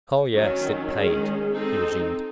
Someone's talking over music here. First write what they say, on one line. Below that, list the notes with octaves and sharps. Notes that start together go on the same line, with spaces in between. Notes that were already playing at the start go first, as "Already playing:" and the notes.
"Oh yes, it paid," he resumed.
D#3 F#3 C#4
D#3 G#3 C#4 G#4
C4 D#4 A4